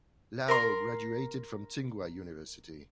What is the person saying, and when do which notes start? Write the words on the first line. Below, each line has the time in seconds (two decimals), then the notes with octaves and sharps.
Lao graduated from Tsinghua University.
0.48 A#4 A#5 C6